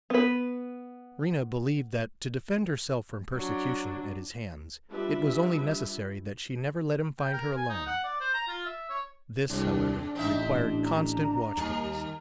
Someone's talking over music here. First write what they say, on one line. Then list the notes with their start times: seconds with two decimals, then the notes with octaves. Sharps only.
Rena believed that, to defend herself from persecution at his hands, it was only necessary that she never let him find her alone. This, however, required constant watchfulness.
0.10 B3 B4
3.34 F#3 D4
4.90 G3 D4 F4 B4 E5
7.19 G5
7.33 A#4
7.56 G#5
7.69 D#4
7.86 F#5
8.04 D5
8.20 C5
8.34 A#5
8.48 F4
8.65 E5
8.90 C#5
9.49 C2 G#2 D4
10.15 A1 C4 D#4 E5
10.85 A#5
11.57 D#2 G3